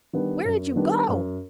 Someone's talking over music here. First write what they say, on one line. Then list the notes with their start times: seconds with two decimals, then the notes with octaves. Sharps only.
"Where did you go?"
0.13 D#3 G3 B3 D4
0.45 F#2
0.76 D#3 G3 B3 D4
1.08 F#2